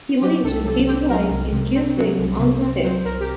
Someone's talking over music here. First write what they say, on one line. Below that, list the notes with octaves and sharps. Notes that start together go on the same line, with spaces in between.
He lives with his wife in Kirchheim unter Teck.
F#3 G4
C2 A4
C3 A4
C4 G4
F#3 A#4
C2
C3
C4
F#3
C2
C3
C4
F#3 C5
C2 A#4
G4